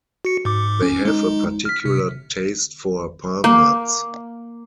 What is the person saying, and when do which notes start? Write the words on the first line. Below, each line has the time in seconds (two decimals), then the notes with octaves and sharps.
They have a particular taste for palm nuts.
0.25 F#4 C#7
0.45 G#2 D6
0.82 C#4
1.05 G#3 D#4
1.65 F6 B6
1.86 C3
3.44 A#3